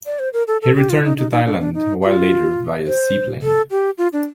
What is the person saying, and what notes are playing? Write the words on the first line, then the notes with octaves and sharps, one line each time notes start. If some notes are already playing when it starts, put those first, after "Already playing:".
He returned to Thailand a while later via seaplane.
D5
C5
A#4
A4
A4
G4
F4
D#4
D#4
D#4
D4
D4
D#4
G4
F4
C5
A4
G4
F4
D4